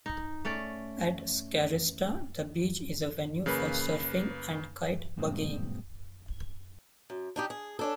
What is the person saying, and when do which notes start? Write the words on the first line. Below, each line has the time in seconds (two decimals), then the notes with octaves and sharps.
At Scarista the beach is a venue for surfing and kite buggying.
0.06 D#4
0.45 A3 C#4 D5
3.46 C#3 A#3 B4
5.17 G2 A#2 F#3 G#3 C4
7.10 F#2
7.36 D4 D#4 G4
7.50 G#4
7.79 C#4 D4 A4